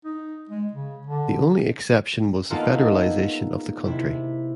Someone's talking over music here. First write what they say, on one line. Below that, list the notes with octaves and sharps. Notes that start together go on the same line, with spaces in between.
The only exception was the federalization of the country.
D#4
G#3
C#3
D3
A#3 B3 D#4 F4 G#4 A4
C3 E4